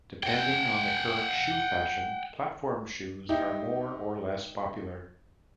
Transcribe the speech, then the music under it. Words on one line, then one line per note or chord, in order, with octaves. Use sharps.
Depending on the current shoe fashion platform shoes are more or less popular.
F#5 G5
D#4 E4 G4